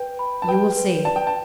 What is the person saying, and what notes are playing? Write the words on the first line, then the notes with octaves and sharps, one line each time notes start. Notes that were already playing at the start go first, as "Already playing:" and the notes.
"You will see."
Already playing: B4 G5
B5
A5
B4 G5
B4
D5 A5
G5
A5